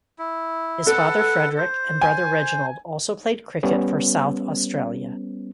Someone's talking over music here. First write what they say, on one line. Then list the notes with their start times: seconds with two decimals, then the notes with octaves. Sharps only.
His father Frederick and brother Reginald also played cricket for South Australia.
0.19 E4
0.87 A4 B4 F#5
1.57 C5
2.01 G#5
3.63 G3 B3 C#4